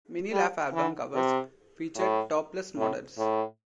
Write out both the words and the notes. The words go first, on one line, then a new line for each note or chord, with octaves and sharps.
Many Laff album covers featured topless models.
G3
E3
C3
A2
A2
A2